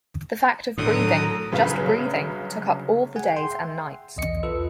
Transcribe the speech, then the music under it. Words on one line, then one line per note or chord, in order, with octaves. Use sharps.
The fact of breathing, just breathing, took up all the days and nights.
A2 D3 D#3 F#3 A4 A#5 D#6
G1 C#3 F#3 B4 F5 B6
G#4 F#5 G#5
G5 C6
E5
B1 E2 D#5 C#7
F4 A4 B4 E6